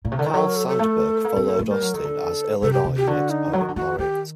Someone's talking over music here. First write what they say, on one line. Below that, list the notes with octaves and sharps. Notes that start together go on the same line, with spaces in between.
Carl Sandburg followed Austin as Illinois next poet laureate.
A#2
C3
D3
D#3
F#3 A4
A#4
A4
A4
A3
A#3
C4
A#3
A3
G3 A#4
F#3
D#3 A4
D3
C3 A4
G4
C3
G4
D3 F#4
D#4
F#3 F#4
D#3
D3
D#3 F#4
D#3 G4